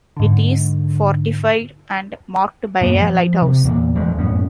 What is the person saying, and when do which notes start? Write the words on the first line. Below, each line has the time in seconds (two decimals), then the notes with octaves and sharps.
It is fortified and marked by a lighthouse.
0.17 G#2 D3
2.81 F#2 A#2 B3
3.00 F3
3.42 C3
3.64 E2 A#2
3.95 E2 F3 G#3 A3
4.19 F#2 A2 B3 C#4